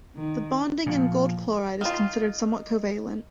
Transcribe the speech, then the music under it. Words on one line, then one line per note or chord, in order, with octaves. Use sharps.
The bonding in AuCl is considered somewhat covalent.
D#3
A#2 F3
D#3 F4